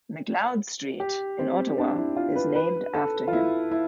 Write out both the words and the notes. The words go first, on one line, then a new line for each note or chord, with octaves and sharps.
McLeod Street in Ottawa is named after him.
G4
C4
D4
E4
F4
B4
B4
A4
F4
E4
E4